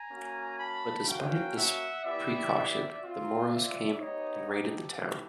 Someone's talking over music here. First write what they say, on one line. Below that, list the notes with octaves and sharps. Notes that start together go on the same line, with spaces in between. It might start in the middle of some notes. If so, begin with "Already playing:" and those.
But despite this preacaution, the Moros came and raided the town.
Already playing: G#5 A#5
A#3 C#4 F#4
A5 B5
A#3 C#4 F#4 F5 G5
E5 F#5
B3 E4 G4 D5 E5
C4 F4
D5 E5
B3 D#4 G4 C#5 D#5
G4 A4
E4 G4